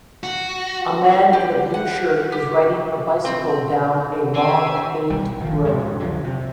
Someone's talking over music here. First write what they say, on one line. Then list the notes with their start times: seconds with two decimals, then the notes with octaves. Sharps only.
A man in a blue shirt is riding a bicycle down a long paved road.
0.23 F#4
1.33 G4
1.74 F#5
2.32 G4
3.25 C4
4.03 D#3
4.35 C4 E5 G#5
5.10 B1 G3
5.40 F#1 D#3 F3
5.65 F2 G#2
6.00 C2 D3 F3 F#3
6.24 C3